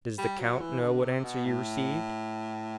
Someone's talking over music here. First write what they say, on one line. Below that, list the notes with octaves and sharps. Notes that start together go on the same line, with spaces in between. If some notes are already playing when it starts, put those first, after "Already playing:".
"Does the count know what answer you received?"
G3
F#3
E3
D3
C3
B2
A2